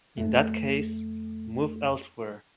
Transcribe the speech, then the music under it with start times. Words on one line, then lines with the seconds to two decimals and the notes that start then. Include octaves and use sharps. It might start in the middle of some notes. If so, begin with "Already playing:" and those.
In that case, move elsewhere.
0.18 F2 A3